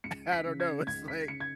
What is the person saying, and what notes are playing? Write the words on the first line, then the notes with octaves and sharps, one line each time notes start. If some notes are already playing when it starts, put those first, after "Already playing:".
I don't know, it's like,
C#2 C#7
B6
C#3
G#6
C#2 G#6
B6
C#3 C#7
G#6